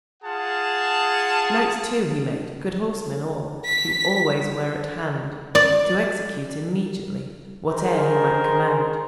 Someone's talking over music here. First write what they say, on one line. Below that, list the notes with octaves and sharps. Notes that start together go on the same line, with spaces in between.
Knights, too, he made, good horsemen all, Who always were at hand To execute immediately Whate'er he might command.
F4 G#4 F#5 A5
B6
D5
D#3 G#4 A#4 C5